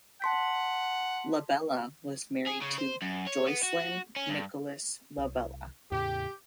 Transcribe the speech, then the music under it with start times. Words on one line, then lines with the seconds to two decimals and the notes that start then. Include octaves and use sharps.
Labella was married to Joycelyn Nicolas Labella.
0.22 F#5 A5 C6 B6
2.47 G#4
2.62 C#3
2.78 C5
3.02 F#2
3.27 C#5
3.47 B3
3.63 F#4
4.16 C#4
4.29 G2
5.18 C2
5.91 E2 A2 C#3 G4